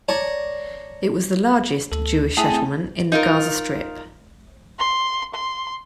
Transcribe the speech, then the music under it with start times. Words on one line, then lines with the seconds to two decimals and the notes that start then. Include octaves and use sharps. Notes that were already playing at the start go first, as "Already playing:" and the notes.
It was the largest Jewish settlement in the Gaza Strip.
0.08 C#5 D5 A5 A#5 C#6
1.92 D2 A4
2.37 A3 E4 G#4 A4 E5 G5 A5
2.52 C4
3.12 D#4 F4 A#4
4.79 C6
5.34 C6